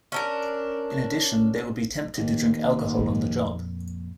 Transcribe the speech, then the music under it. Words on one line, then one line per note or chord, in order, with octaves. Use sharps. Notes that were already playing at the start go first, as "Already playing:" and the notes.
In addition they would be tempted to drink alcohol on the job.
C#4 D4 A#4
D#2
F2 A#2